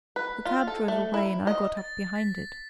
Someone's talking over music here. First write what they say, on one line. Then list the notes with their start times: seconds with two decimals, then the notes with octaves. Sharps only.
The cab drove away, and I got up behind it.
0.16 B4
0.45 F4
0.67 A4
0.88 A3
1.14 E4
1.47 D#5
1.77 A6
2.16 B6